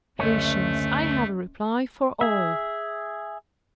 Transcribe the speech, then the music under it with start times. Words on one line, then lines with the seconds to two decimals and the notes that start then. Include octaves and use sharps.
"Patience, I have a reply for all."
0.20 F#1 D2 A3 C#4
2.21 G#4 E5